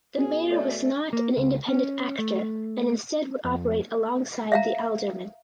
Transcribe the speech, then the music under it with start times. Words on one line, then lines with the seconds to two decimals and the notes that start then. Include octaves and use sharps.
The Mayor was not an independent actor and instead would operate alongside the Alderman.
0.17 B2 G#4
0.51 A3 A4 C#5 D5
1.13 A#3
1.37 C#2
1.68 C#4
2.19 A3
3.44 F2
4.52 E5 F5 A#5